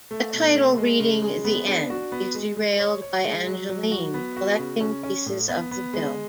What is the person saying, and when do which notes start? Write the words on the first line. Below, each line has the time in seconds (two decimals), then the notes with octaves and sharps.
A title reading "The End" is derailed by Angeline collecting pieces of the bill.
0.11 A3
0.33 B2
0.55 A3
0.78 G#3
1.00 C#3
1.22 G#3
1.45 B3
1.67 D4
1.90 F#4
2.12 B3
2.35 G#3
2.57 G#3
2.80 C#5
3.02 C#5
3.24 G#3
3.47 F#3
3.69 F#3
3.92 F#4
4.14 B3
4.37 F#4
4.59 C#3
4.81 C#4
5.03 C#4
5.26 A2
5.49 B3
5.71 B3
5.93 G#3